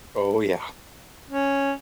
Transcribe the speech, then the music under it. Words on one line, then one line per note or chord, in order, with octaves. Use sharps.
Oh, yeah.
C#4